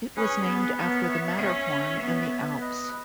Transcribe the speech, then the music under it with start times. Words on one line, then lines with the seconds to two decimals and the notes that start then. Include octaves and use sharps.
It was named after the Matterhorn in the Alps.
0.16 C#4 G#4 B4
0.47 B3
0.77 B3 A#4 C#5
1.08 C#5 E5
1.39 C#4
2.00 B3
2.61 B4 D#5